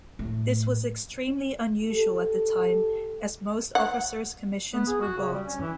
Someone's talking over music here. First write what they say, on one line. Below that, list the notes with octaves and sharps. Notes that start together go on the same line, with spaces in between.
This was extremely unusual at the time as most officers' commissions were bought.
A2
G4 A4
F#5
B3
G#4
F#4
C#3
G3
C#4
E3